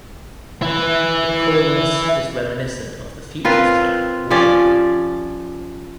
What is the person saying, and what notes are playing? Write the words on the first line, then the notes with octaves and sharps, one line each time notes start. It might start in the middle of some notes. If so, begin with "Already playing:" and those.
The chorus was reminiscent of the "Futures" track "Work".
E4 B4
C4 F4 A#4 B4
F3 C#4 G4 D5